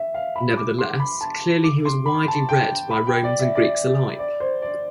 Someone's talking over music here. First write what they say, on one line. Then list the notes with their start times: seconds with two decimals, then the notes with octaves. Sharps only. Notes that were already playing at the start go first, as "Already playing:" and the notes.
Nevertheless, clearly he was widely read by Romans and Greeks alike.
Already playing: E5
0.14 F5
0.36 B5
0.57 D6
0.79 C6
1.00 B5
1.21 A5
1.64 D6
1.85 C6
2.06 B5
2.28 A5
2.49 G5
2.91 B5
3.07 G5
3.24 D5
3.40 E5
3.55 D5
4.19 D5
4.40 C5
4.62 D5